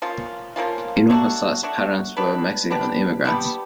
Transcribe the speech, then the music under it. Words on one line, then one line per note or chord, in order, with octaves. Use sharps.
Hinojosa's parents were Mexican immigrants.
F3 A#3 C#4 F4
F3 A#3 C#4 F4
F#3 A3 D4 F#4
F#3 A3 D4 F#4
B3 D4 G4 B4
B3 D4 G4 B4
G3 B3 D4 G4